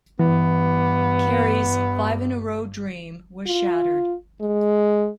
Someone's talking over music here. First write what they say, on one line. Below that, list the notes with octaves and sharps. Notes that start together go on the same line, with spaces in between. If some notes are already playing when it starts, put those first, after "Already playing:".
Kerry's five-in-a-row dream was shattered.
G2 E3 B3
F4
G#3